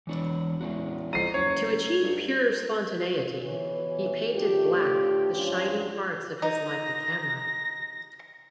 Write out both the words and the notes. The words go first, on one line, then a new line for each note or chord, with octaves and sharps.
To achieve pure spontaneity he painted black the shiny parts of his Leica camera.
E1 E3 C#5 D5
E2 G#3 C#4 F#4
F2 A#5 C7 D#7
F#1 C#5
G2
B2 E3 C#5
A2 D3 A3 F4 G4
G2 F3 F#3 C#4 D4 F4
D#4 A#6